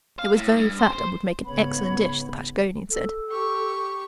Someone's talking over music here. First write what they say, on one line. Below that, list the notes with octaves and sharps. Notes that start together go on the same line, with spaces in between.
It was very fat and would make an excellent dish, the Patagonian said.
F5
A2
G2
C5
C5
G#2 C#3 B3 C#5 B5
A4
G4 C#6